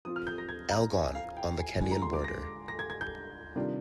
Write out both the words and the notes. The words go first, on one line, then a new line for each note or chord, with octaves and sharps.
Elgon on the Kenyan border.
F3 C4 F4 D#6
F6
G6
A#6
G#6
A#5
G#5
F5
G5
G#5
D3 G#3 D4 F4 G#5
A#5
C6
D6
A#6
A#6
G#6
G#6
G6
C3 D#3 G3 D4 F4